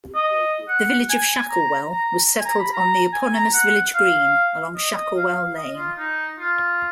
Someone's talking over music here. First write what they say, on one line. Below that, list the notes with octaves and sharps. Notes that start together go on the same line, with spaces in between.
The village of Shacklewell was settled on the eponymous village green, along Shacklewell Lane.
D#5
F#5
G#5
A#5
A#5
G#5
A#5
B5
A#5
G#5
A#5
F#5
F5
D#5
D#5
F5
D#5
F4
D#4
F4